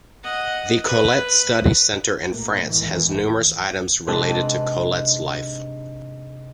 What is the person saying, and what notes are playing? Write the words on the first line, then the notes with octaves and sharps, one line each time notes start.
The Colette Study Centre in France has numerous items related to Colette's life.
D#5 F#5
B4
A#2 A3 A#3
A1 F2 G#2 D#3 E3
G#2 C3 D4 B4 D#5 A5